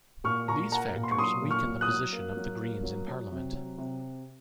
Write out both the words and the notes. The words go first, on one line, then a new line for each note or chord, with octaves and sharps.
These factors weakened the position of the Greens in Parliament.
A#2 C#6 F6
A#2 A#5 C#6
A#3 F#5 A#5
A#2
C6
C#6
F#3 C6 D#6
A#2
C#6 F6
F#3
D#6 F#6
F#3
A#3
F#3
A#3
F#3
F#3
C3
F#3
C3